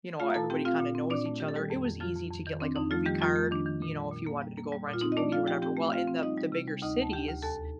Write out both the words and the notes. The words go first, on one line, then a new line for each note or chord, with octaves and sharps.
you know, everybody kinda knows each other. It was easy to get, like, a movie card, you know, if you wanted to go rent a movie or whatever. Well, in the the bigger cities,
A3 F4 F5
A#5
A#2 A4 A5
C4 G4 G5
C4 F4 F5
A#2
C4
A#2 D4 D5
A3
D#3 G4
A4
D#3 G3 G4
F2
F2
F2 F3 F4
F2
F2
D#3
C4 D4
F2 D#4
F3 A3 F4
D#3 G3 G4
F2 F3 F4
A3
D#3 D4
D#3
A#2
G3
A#2
A#3
G3
A#3
G3
A#2
F4
C4 D#4
D#5
A3 D4 D5
F3 F4 F5
F3 G4 G5
C4 G4 G5
A3
G5
C4 F4 F5
C4
G3 D#4 D#5
G3
C3
G3
D2 D#4 D#5
D2 A5
D2 G4 G5
D2
D#2 A4 A5